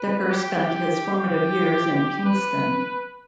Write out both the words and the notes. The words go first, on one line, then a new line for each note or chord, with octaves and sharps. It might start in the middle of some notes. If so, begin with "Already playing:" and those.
Dekker spent his formative years in Kingston.
Already playing: B4
G4
G4
G4
B4